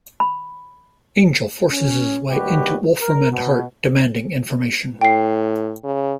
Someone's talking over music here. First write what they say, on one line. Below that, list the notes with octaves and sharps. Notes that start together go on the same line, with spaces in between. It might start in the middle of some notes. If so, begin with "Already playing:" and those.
Angel forces his way into Wolfram and Hart, demanding information.
B5
C#4
A1 D#2 G3 F#4 G4 B4
A#4
B2
A2 G5 C7
C#3